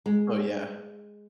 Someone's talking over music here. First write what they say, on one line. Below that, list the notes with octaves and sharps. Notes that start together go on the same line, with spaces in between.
Oh, yeah.
G#3